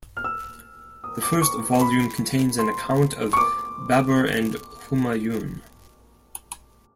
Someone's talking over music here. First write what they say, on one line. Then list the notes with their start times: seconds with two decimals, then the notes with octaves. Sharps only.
The first volume contains an account of Babur and Humayun.
0.17 F6
0.24 E6
1.04 D#6
1.23 D6
1.42 C#6
1.81 B5
2.59 C6
3.33 C#6
3.37 D6